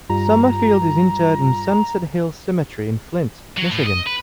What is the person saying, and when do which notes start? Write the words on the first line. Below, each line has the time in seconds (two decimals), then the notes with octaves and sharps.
Summerfield is interred in Sunset Hills Cemetery in Flint, Michigan.
0.10 G2 G3 F4 A#5
3.58 F#3
3.72 A2
3.86 D#5
4.07 B4